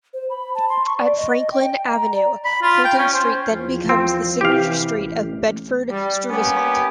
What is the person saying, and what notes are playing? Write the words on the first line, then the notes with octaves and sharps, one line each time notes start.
At Franklin Avenue, Fulton Street then becomes the signature street of Bedford-Stuyvesant.
C5
B5
A5
C6
C#6
D5
D#5
G5
A#5
D5
B5
F4
G5
C#4
C5
E2 F3
C4
C3 E3 G4 F5
A1
G3
A#3 B3 C#4 G4